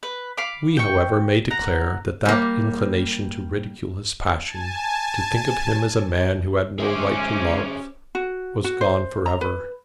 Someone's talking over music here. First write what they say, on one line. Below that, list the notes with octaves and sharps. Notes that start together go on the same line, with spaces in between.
We, however, may declare that that inclination to ridicule his passion, to think of him as a man who had no right to love, was gone forever.
B4
F5 B5 D6
G5 C#6
F#5 A#5
G3 A#3
G#5 A5
G#3 C#4 G4 G#4 C5 E5 D6
F#4
F#4
C5
A#5
B4